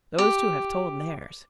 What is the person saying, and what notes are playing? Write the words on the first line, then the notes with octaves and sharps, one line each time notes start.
"Those two have told theirs."
G4